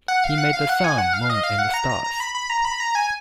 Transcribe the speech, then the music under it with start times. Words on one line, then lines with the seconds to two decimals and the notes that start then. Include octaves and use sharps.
He made the sun, moon, and the stars.
0.08 F#5
0.24 F5
0.38 F#5
0.53 F5
0.69 F#5
0.84 G#5
0.98 F#5
1.13 F5
1.30 D#5
1.44 F5
1.59 F#5
1.74 A#5
1.89 A#5
2.04 A#5
2.20 B5
2.35 B5
2.50 A#5
2.65 B5
2.80 A#5
2.95 G#5